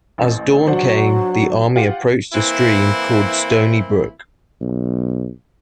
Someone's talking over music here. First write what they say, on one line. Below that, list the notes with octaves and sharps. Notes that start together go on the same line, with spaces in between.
As dawn came, the army approached a stream called Stony Brook.
A1 C4
F#3 D4 C5 F#5
F4 G4 F#5
E3 A#3 C4 E4
B1